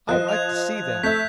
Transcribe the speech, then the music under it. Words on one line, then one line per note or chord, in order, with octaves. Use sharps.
I like to see that.
F3 C5 D#5 F#6
G#6 F7
A3 E5 G6 B6